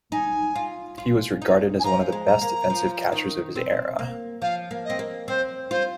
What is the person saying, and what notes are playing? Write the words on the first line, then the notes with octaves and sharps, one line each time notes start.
He was regarded as one of the best defensive catchers of his era.
D#4 G#5
F4
F4
D#4
G#5
F3 A#5
G#3
A#5
A#3
F3
D#3
C4
A#3
F3 F5
A#3
D#5
C4
A#3
C4 C5
F4 C5